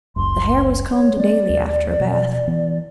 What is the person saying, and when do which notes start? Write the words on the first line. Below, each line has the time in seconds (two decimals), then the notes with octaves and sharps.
The hair was combed daily after a bath.
0.16 F#1 C#2 F#2 C6
0.91 C#5
1.17 G#3 A#3 C4 D5
1.50 D#2
2.00 B2 F3
2.48 E3 B3